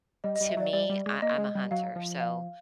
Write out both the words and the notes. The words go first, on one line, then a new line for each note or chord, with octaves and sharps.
to me, I I'm a hunter, so,
G3 D#5
D#5
G3
E5
F#3 D5
G3 D5
G3
G#3
A#3 D#5
G#3
G3
F#3 F5
F3
F5